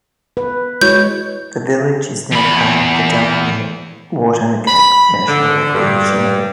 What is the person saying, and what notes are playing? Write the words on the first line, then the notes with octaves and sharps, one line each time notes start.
The village is now part of the Delaware Water Gap National Recreation Area.
B4
G#3 E4 F#4 C#5 C#6 G6
E2 B5
B5
D3
G2